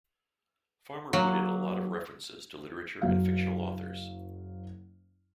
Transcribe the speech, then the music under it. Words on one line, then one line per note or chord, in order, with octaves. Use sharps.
Farmer put in a lot of references to literature and fictional authors...
F#3 A#3
F#1 F#3 F5